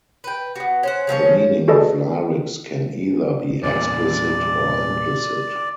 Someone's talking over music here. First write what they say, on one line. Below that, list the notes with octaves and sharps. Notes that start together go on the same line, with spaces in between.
The meaning of lyrics can either be explicit or implicit.
B4 G5
B3 F#4
C#4 C5 F#5
C#3 F3 C4 C#4
F#4 G#4 A4 B4 D5 D#5
E2 A#2 D5